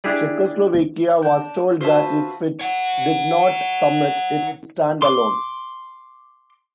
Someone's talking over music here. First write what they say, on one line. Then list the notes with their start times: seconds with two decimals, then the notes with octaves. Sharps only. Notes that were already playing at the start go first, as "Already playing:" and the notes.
Czechoslovakia was told that if it did not submit, it would stand alone.
0.04 D4 E4 G4 G#4 D5
1.22 D4 G6
1.81 F4 F#4 B4 C5 E5 A5
2.59 C#5 F#5
5.02 C6 D6